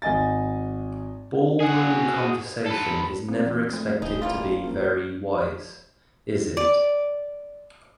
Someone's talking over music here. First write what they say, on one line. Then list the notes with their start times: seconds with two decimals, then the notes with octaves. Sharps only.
Ball-room conversation is never expected to be very wise, is it?
0.02 G#1 D#5 G#5 A6
1.60 F#4 G#4
2.66 A4 B4
3.28 F1 C4
3.46 E3
3.73 A3
4.02 D1 A1 D#4
4.22 G3 A#3 F4
4.63 A#1
6.57 D5